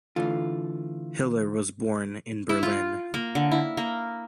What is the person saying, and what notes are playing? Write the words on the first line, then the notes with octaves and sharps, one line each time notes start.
Hiller was born in Berlin.
D3 E3 A3 F4
E4
F4
A#3
D3
E4
A#3